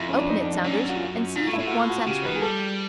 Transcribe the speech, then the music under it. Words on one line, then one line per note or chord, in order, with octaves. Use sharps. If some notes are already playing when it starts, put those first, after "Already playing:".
"Open it, Saunders, and see if it wants answering."
Already playing: F2 E4 F4
C#4
D4
D#4
D4
D4
F#2 C#4
F#4
F4
F#4
G#2 F4
A2
E4
A2
F#4
F4
F#4
C#3 G4
D#3 B4
G#4
G3 A4